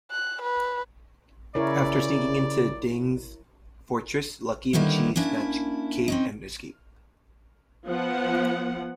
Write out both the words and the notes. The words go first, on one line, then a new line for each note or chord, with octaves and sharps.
After sneaking into Deng's fortress, Lucky and Chi snatch Kate and escape.
F#6
B4
C#3 E4 A#4 C#5 D5
D3 D#3 G3 A#3 B3 E4
A#3 C#4 D4 E4
C4 C#4 D#4
F3 B3 F#5